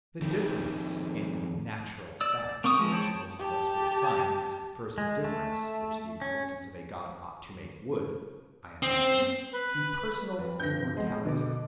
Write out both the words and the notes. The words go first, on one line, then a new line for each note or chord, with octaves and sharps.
The difference in natural "fact" which most of us would assign as the first difference which the existence of a God ought to make would, I imagine, be personal immortality.
F2 D#3
D5 E6
A#3 C4 C#6 D#6
E3 F3 G#3
C5 C#5 G5 A5 B5
G4 A5
G#3
A3
C#4
C4
B4
F2 B4
G2 G6 A#6
G#3 B3
B2 D3 B3 D6